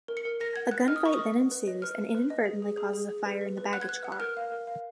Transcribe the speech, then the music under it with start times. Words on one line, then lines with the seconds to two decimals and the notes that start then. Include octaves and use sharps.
A gunfight then ensues and inadvertently causes a fire in the baggage car.
0.08 A#4
0.17 C#7
0.25 A#4
0.40 A#4 A#6
0.56 F#5 G#6
0.71 F#5 F#6
0.88 D#5 F6
0.96 D#6
1.03 A#4 C#6
1.14 D#6
1.19 D#5
1.36 F#5
1.51 B4
1.68 D#5
1.82 B4 F6
1.98 B4
2.15 B4
2.30 D#5
2.46 G#4
2.62 G#4
2.77 G#4
2.94 G#4
3.09 G#4
3.26 B4
3.41 B4
3.58 B4
3.73 F#5 F#6
3.81 G#6
3.88 B4 F#6
4.04 F#5
4.12 F#6
4.20 A#4 F6
4.37 F5
4.52 A#4
4.67 F5